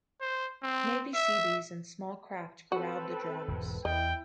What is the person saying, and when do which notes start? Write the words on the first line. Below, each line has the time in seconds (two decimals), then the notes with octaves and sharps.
Navy Seabees in small craft corralled the drums.
0.21 C5
0.63 C4
1.14 E5
2.72 C4 F#4 A4 B4
3.48 E1 G#2
3.85 E2 E4 D#5 G5